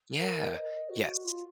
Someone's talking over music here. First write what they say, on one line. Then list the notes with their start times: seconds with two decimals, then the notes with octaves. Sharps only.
Yeah. Yes.
0.19 A#4
0.54 D#5
0.89 F#4
1.25 F4